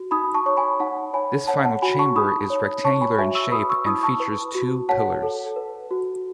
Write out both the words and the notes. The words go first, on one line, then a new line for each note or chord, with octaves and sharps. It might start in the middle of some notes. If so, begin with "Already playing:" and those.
This final chamber is rectangular in shape and features two pillars.
Already playing: F#4
D#4 B5 D#6
A5 C#6
C#5 C#6
G#5 B5
D#4 F#5 A5
C#5 G#5 B5
C#5 F#5 A5
F#5 A5
F#4 G#5 B5
A5 C#6
D#4 B5 D#6
C#5
C#5 A5 C#6
G#5 B5
F#4 E5 G#5
C#6 E6
B4 B5 D#6
C#6 E6
E4 B5 D#6
A5 C#6
B4
F#4
C#5 F#5 A5
A4
B4
F#4